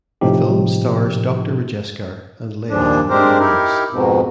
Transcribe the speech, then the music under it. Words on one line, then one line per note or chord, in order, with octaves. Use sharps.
The film stars Doctor Rajasekhar and Laya in the lead roles.
A2 C3 F3 D#4 G4
D#2 A#2 F3 D4
G#3 C4 D4 G4 A#4 C5
D#4 E4 G4 A#4
F2 G#2 B2